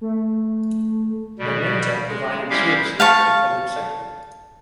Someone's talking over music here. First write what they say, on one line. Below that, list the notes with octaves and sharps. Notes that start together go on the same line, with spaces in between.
Momenta provided services to the public sector.
A3
B2 G3
G#3
G3 G#3 C#4 E4 G4 F5
F5 A5 C#6